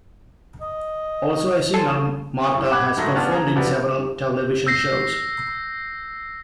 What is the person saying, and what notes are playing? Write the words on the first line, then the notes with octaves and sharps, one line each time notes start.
Also a singer, Marta has performed in several television shows.
D#5
A4 G#5 C6
F#2 A2
F#5 B5 D6 F#6 G#6
G#2 D#3 F#3 G#3 A3 A#6
B3 C#4 D4 F4 F#5 A5
G#4 A#5
C3 F3 D4 F#4 B4
E6 G6 A#6 C7